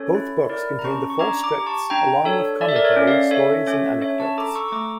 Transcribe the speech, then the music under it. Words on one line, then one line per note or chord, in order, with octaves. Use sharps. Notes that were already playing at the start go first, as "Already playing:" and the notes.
Both books contain the full scripts along with commentary, stories and anecdotes.
Already playing: C#4 A4 C#5
E4
E4 A#4 D5
A#5
C#4 A5 C#6
C#6
D4 A#5 D6
A#5 D6
G4
A5 C#6
D4 G5 A#5
D4 A4 C#5
A4 D5
E5
A#4 D5
C#5 E5
C#4
D5 F5
A4 C#5 E5
C#4 C#5 E5
D4 C#5 E5
A5 C#6
A4 A#5 D6
C#6 E6
C#6
A3 A#5 D6